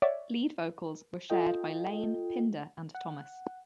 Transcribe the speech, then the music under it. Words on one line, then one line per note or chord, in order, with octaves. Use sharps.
Lead vocals were shared by Laine, Pinder and Thomas.
C#5 D5 E5 F#5
F4 A4 D#5 G5
F#5